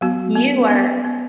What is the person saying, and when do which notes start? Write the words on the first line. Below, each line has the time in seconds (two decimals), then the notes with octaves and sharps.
You are
0.01 F#3 B3 F#4
0.35 B3
0.70 B3
1.04 B3